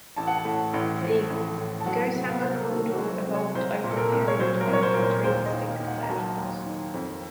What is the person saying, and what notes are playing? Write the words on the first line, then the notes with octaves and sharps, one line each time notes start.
The Gossamer Condor evolved over a period of time through three distinct versions.
A1 A5
F#5
A5
A2
A1
F3
A1
A2
A5
F#3 F#5
C3
F5
C2 C5
A#4
A4
D#3 F#4
F#4
F#3
C5
C3
C#5
C2 C5
A#2
A4
A#4
C2
C#5
F#3 C5
A#4
C2
C#5
C5
A#2 A#4
C5
D#2 C5
D#5
D#3
F5
D#2
F#5
A#5
F#3 A5
D#2
D#3
F2